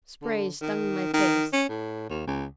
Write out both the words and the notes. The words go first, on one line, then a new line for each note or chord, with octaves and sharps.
Spray stung my face.
D3
D#3
D#3
C#4
A2
D#2
C#2